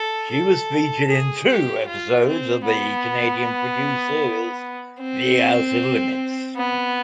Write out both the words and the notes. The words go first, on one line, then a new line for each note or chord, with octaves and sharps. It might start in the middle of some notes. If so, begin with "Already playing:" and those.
She was featured in two episodes of the Canadian-produced series "The Outer Limits".
Already playing: A4
A4
G#4
G4
F4
C4
B3
C4
B3